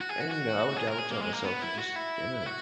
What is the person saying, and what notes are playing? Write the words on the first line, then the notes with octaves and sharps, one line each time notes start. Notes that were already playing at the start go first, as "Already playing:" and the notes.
and, you know, I would I would tell myself to just kinda,
F#4
G#4
F#4
F#4
G#4
A#4
G#4
A#3
G#3
A#3
B3
E4
F#4
E4
F#4